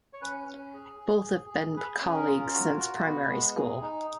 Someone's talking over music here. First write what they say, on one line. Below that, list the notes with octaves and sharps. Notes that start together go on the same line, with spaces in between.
Both has been colleagues since primary school.
C#5
C#4 B4
C#4
G#4
G#4
G#4
G#4
G#4 B4
C#4
A#4
F4
F#4
F#4
B3
G#3
G#4
D#4